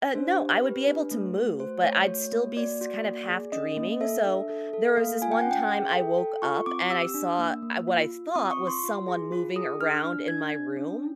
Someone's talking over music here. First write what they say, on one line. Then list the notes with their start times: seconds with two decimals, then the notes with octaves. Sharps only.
Uh, no I would be able to move, but I'd still be s kind of half dreaming, so there was this one time I woke up, and I saw ah, what I thought was someone moving around in my room,
0.15 D4 C5
0.39 G4
0.63 G4 B4
0.87 D4
1.11 A3
1.36 F#4
1.59 A3 C5
1.84 A3 C#5
2.08 F#4
2.32 A#3
2.57 F#4 D5
2.81 F#4
3.04 A#3
3.28 G#4
3.52 C#4 D#5
3.77 A#3
4.01 A4 E5
4.25 D4
4.49 A4
4.73 A4
4.97 A#3 F5
5.22 F4 G#5
5.32 G5
5.41 C#4 F#5
5.51 G5
5.70 G#4
5.94 A4
6.18 A4
6.42 F4 C#6
6.66 C4 D6
6.90 G4 E6
7.14 D4
7.38 A#3
7.62 A#3
7.87 F4
8.11 F4
8.35 C4 D#6
8.51 C#6
8.60 F4
8.67 C6
8.84 F4
9.08 G#4
9.32 F4
9.56 G#4 D#6
9.80 D4 F6
10.04 D4
10.28 D4 G#6
10.52 D4
10.77 C#4